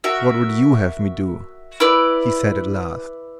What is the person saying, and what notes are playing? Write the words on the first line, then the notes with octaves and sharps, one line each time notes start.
"What would you have me do?" he said at last.
F#4 A#4 E5
E4 B4 D5